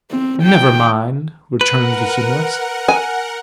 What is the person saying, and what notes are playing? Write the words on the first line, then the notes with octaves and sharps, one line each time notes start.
"Never mind," returned the humorist.
C4
G5
A#4 B4 F#5
G#5